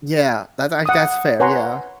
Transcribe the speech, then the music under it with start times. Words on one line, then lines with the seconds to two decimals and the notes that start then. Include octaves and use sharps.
Yeah, that's i that's fair, yeah.
0.86 F#5 D#6
1.40 B4 C#5 F#5 G#5 A#5 C6